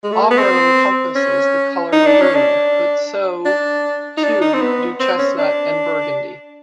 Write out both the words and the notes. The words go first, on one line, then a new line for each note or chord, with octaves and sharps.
Auburn encompasses the color maroon, but so too do chestnut and burgundy.
G#3
A3
A#3
B3
C4
C#4
D#4
D4
C#4
D4
D4
D#4
D4
D#4
C4
B3
C4
C#4
D4